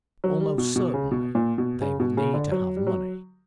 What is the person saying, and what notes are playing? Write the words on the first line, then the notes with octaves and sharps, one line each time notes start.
Almost certainly they will need to have money.
F#3
G3
B2
B2
C#3
B2
A#2
B2
C#3
B2
C#3
D3
F#3
G3
F#3